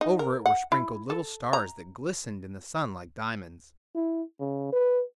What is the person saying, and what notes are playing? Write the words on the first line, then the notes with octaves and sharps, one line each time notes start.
Over it were sprinkled little stars that glistened in the sun like diamonds.
D#4
A#4
F#5
E4
A4
A#5
E4
C#3
B4